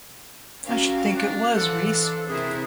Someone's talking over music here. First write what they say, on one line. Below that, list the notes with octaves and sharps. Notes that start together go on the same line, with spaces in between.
I should think it was, Rhys.
C#4 F#4 G4 A#4 F5
D4
E3 A4 C5 D5 F5 F#5
D4
C3 E4 G#4 A#4 C5